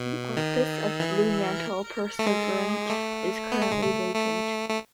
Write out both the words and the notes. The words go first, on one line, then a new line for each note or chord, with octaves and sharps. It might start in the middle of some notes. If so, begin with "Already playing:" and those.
The office of Bluemantle Pursuivant is currently vacant.
Already playing: B2
D#3
E3
A3
G#3
A3
B3
A3
G#3
A3
A3
A3